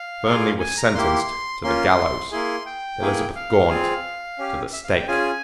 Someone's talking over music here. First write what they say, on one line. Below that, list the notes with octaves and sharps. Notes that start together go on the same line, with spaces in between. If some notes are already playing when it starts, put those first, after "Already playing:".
Fernley was sentenced to the gallows, Elizabeth Gaunt to the stake.
Already playing: F5
A#3 F4 G#4
G#5
A#5
A#3 E4 G4 C6
A#3 C#4 F4 C6
A#3 E4 G#4 C6
G5
A#3 E4 G#4
F5
C4 F4 G#4
C#4 G4
E5
F5
G5
C#4 F4 G#4 G#5